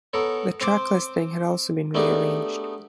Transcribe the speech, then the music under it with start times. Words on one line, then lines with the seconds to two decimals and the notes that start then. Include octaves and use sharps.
The track listing had also been rearranged.
0.13 B3 A4 A#4 C#5
0.61 C4 C5 D6
1.94 A3 B3 D4 D#4 G4 G#4